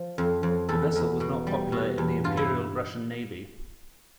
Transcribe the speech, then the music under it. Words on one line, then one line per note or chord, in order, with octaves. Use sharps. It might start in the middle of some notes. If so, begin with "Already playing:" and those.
The vessel was not popular in the Imperial Russian Navy.
Already playing: F3
F2
F2
E2 A4
E2
B2
G3
B2
E2
G2 F4
E4